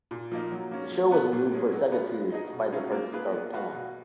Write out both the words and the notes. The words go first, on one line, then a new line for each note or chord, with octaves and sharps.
The show was renewed for a second series despite the first's dark tone.
A#2
F3 A#3 D#4
F#3
A#3 C#4
F3
B3 F4 B4
A#2
G#3 C#4 G#4
F#3
B3 F4 B4
G#3
D#4 G#4 D#5
B2
F#3 C#4 F4 G#4
A#3
F4 G#4 B4
B3
F#4 B4 F5
B2